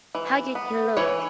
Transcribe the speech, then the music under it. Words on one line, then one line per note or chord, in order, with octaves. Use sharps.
How did he look?
E3
B3
E3 C#5